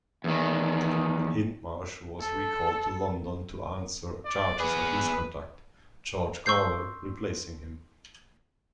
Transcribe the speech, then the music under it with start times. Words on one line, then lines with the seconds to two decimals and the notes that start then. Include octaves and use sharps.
Hindmarsh was recalled to London to answer charges of misconduct, George Gawler replacing him.
0.24 E2 D#3
2.20 A4
4.25 D5
4.60 B3 G#4 B4
6.46 C6 C#6 E6 G6 C7